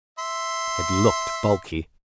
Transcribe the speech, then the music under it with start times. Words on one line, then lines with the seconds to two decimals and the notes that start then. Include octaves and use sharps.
It looked bulky.
0.19 E5 C6